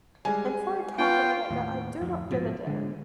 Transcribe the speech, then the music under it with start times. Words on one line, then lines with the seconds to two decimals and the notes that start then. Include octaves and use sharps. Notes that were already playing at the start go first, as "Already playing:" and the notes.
And for a Carpetbagger I do not give a damn.
0.25 G3 G#3 G#5
0.98 B3 F4 G5
1.50 D#2 A2
2.01 D1 F2
2.30 A1 G#2 B2 F3
2.67 D3 G#3